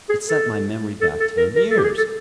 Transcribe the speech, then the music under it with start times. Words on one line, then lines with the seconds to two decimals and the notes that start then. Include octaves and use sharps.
It sent my memory back ten years.
0.09 G#4
0.28 A4
1.01 A4
1.20 A4
1.37 A#4
1.56 A#4
1.70 A4
1.78 G4
1.83 G#4
1.98 A4